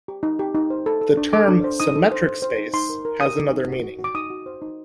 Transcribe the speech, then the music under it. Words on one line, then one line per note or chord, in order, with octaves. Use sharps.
The term "symmetric space" has another meaning.
G4
D#4
G4
D#4
C5
A4
A4
D4
A4 D6
D4
C5
D#4 D#6
A4
C5
C5
C5
D#4
D#4 C6
A#4
A#4
G4 D#6
D#4
D#4
F#4
F#4
F#4
D6
D#4 D#6
F#4
C5
D#4